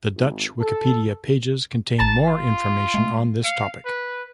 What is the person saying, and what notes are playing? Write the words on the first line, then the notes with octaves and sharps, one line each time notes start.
The Dutch Wikipedia pages contain more information on this topic.
G#1
A4
G#1 A5 A#5 A6
F4
G#3 A3
F5 C#7
B4